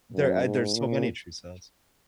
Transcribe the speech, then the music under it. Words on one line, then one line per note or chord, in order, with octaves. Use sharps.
there uh, there's so many true selves.
F#2
G#2
A#2